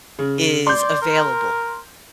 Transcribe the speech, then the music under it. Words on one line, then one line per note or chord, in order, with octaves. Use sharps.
is available
C#3
D5 C6 G6
A#4